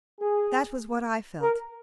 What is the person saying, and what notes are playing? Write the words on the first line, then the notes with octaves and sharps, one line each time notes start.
That was what I felt.
G#4
A#4